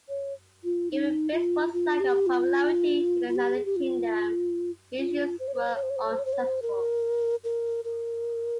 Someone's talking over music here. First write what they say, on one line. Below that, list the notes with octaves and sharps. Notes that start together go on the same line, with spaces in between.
Given baseball's lack of popularity in the United Kingdom, the issues were unsuccessful.
C#5
F4
D#4
F4
F4
G4
F4
F4
G4
G#4
G4
F4
F4
C5
C#5
C5
C#5
C5
C#5
C5
C#5
C5
C#5
C5
C#5
C5
C#5
C5
A#4
A#4
A#4